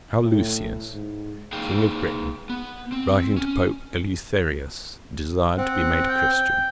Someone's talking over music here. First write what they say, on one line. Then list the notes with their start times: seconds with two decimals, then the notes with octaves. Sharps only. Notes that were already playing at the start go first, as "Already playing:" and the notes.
How Lucius, king of Britain, writing to Pope Eleutherus, desired to be made a Christian.
0.23 A2
0.93 G#2
1.53 A#3 D#4 G#4 F5 G5
2.49 B3
2.92 C4
3.37 C#4
5.58 C4 F#5
6.09 G5